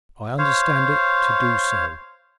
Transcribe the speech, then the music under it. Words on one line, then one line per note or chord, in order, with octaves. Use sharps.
"I understand it to do so."
C5 C#5 F5